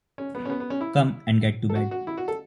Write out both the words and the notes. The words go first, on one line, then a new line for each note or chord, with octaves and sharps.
Come and get to bed.
C#4
B3
C#4
B3
B3
C#4
E4
A4
F#4
F#4
E4
F#4
A4